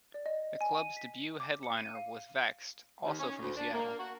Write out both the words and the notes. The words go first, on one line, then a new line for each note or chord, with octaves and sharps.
The club's debut headliner was Vexed, also from Seattle.
D5
D#5
G#5
D#7
B6
D6
C#7
D#7
F5
D#2
C#4
D2
D4
A#3
F#4